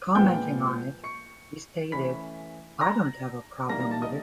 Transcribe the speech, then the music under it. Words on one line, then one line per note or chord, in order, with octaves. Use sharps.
Commenting on it, he stated, I don't have a problem with it.
A#2 F3 G#3 B3 G5 G6
C#6 C#7
E3 A3 C#4 B5 B6
A#5 A#6
E3 G3 A#3 D#4 A#5 A#6
A#5 A#6
A5 A6
D#5 D#6